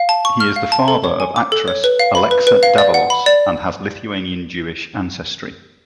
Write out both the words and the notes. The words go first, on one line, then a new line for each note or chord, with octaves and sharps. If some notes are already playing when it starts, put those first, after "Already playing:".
He is the father of actress Alexa Davalos and has Lithuanian-Jewish ancestry.
Already playing: F5
A5
C#6
F6
F5
A5
A4
C#5
G#5
D6
A4
C#5
B4
F5
B5
B4
B4
F5
D5
F#5
B5
D5